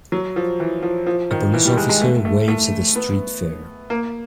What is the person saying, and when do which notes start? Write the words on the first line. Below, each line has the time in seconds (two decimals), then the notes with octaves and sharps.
A police officer waves at a street fair.
0.12 F#3
0.36 F3
0.60 E3
0.83 F3
1.07 F3
1.31 D#3
1.54 E3
1.65 G3
1.77 G#3
1.89 G#3
2.01 A3
2.25 A3
2.48 A3
2.96 B3
3.90 A#3